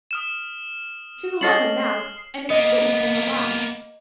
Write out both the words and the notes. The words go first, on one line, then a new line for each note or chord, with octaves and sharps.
She's eleven now, and the cutest thing alive.
D#6 F6 E7
C#4 A4 D#5 F6 C7 F#7
A#3 B3 D#5 A#6